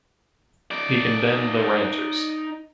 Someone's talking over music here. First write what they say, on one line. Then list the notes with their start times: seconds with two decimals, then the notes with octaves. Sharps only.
He condemned the Ranters.
0.71 D#4 D5